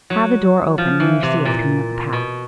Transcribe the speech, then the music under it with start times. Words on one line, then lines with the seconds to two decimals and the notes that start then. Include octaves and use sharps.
"Have the door open when you see us coming up the path."
0.10 F#3
0.78 F3
1.00 E3
1.23 C3
1.45 A#2
2.13 B2